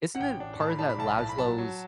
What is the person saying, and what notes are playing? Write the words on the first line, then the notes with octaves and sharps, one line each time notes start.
Isn't it part of that Laszlo's
F#5
A1 G5
D4
A2 A5
B5
D4 A5
B5
B1 A5
B5
A2 A5
B5
F#3 A5
F#3